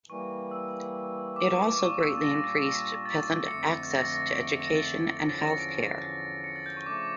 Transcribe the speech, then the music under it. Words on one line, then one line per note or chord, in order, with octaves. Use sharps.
It also greatly increased peasant access to education and health care.
E3 G3 A#3 C#6
E6
D6
C#6
D6
D6
A#2 G3 D4 F4 C#6
E6
A6
A#6
A#6
A#6
A6
F2 D3 A3 C#7
A#6
A6
A#6
C#7
D7
C#7
A#6
A6
E2 D3 F3 C#4
A6
A#6
C#7
D7
C#7
A6
G6
C#6
C#3 F3 A3 D4 D6